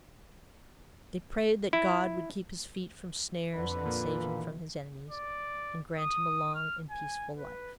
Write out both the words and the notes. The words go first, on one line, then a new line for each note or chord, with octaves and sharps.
They prayed that God would keep his feet from snares and save him from his enemies, and grant him a long and peaceful life.
E4
F2 D3 B4
A#2
B2 D#3 E3
D5
D#6
F6
G#5
B4